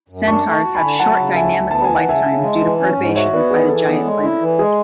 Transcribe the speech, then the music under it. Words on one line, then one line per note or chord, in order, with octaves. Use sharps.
Centaurs have short dynamical lifetimes due to perturbations by the giant planets.
F#2
D4 A5 C#6
A3
A5 C#6
F#4
G#5 B5
D3
F#3 F#5 A5
C#3
D2 E5 G#5
D2
B3 A5
E3 G#5
F#5
C#3 E5 G#5
C#3
G#3
E3
C#4
G#2
F#4 C#5 E5
B3 B4 D5
E3 G#4
E3 A4
B3
G#3
E4
E3
G#3 G#4